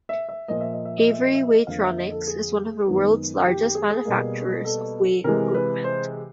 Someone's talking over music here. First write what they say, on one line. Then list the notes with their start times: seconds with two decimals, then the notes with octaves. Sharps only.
Avery Weigh-Tronix is one of the world's largest manufacturers of weighing equipment.
0.09 E5
0.29 E5
0.48 A#2 F3 A#3 D#5
0.61 E5
0.73 D#5
0.85 E5
0.98 D#5
1.10 E5
1.22 D#5
1.34 E5
1.47 D#5
1.67 F2 D3 F3 A#3 F5
1.82 E5
1.97 D#5
2.11 A4
2.27 G#4
2.86 F#2 D#3 G#3 B3
3.46 G4
3.61 G4
3.75 G#4
3.91 G#4
4.05 B2 G3 A#3
4.65 A4
5.24 C3 E3 G#3 A#4
5.54 B4
5.84 C5